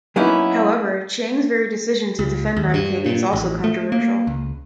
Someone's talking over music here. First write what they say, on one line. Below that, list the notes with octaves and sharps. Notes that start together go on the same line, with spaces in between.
However, Chiang's very decision to defend Nanking is also controversial.
F#3 A#3 B3 C#4 D#4 E4
C#2
D#2
G2
A#2
A1
A3
A#3
C#2